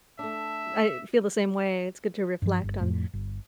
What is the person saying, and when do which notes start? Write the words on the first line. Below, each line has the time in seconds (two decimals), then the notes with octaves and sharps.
I feel the same way, it's good to reflect on,
0.19 A3 D4 E5
2.42 G2 F3
2.64 G1
2.81 F2 A2
3.13 G1